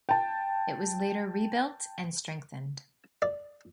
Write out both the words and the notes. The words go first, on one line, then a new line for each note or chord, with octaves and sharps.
It was later rebuilt and strengthened.
G5 A5
D5